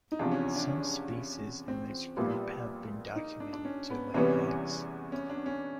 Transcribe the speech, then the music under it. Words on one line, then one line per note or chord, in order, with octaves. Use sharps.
Some species in this group have been documented to lay eggs.
D#4
E2 C3 F3 D4
C#4
D4
C#4
C4
A#1 A#2 G3 B3
D#4
D4
D4
C#4
B3
E2 C3 E3 G3 B3 C#4
C#4
D4
C#4